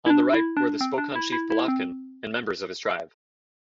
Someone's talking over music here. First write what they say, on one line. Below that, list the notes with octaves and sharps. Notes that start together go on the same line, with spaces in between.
On the right were the Spokan chief Polatkin and members of his tribe.
E4
D4
E4
D4
C4
D4
E4
E4
E4
C4